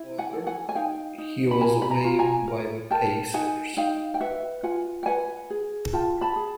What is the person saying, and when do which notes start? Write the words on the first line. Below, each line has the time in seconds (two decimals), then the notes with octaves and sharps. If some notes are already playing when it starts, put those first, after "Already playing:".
However, he was waived by the Pacers.
Already playing: E4
0.18 F#5 G#5
0.33 A4
0.47 F#5 G#5
0.69 G#5
0.75 D#4 F5 G5
1.18 D#4
1.51 B5
1.61 F4 G#5 A#5
1.82 B5
1.90 G#5 A#5
2.04 F4
2.19 G#5 A#5
2.48 A#4
2.91 A#4 G5 A5
3.34 D#4 F#5 G#5
3.77 D#4 F5 G5
4.14 G5
4.20 B4 E5 F#5
4.63 F4 F#5 G#5
5.03 G5
5.06 B4 F#5 G#5
5.50 G#4
5.93 F4 G5 A5
6.21 A5 B5
6.36 G#4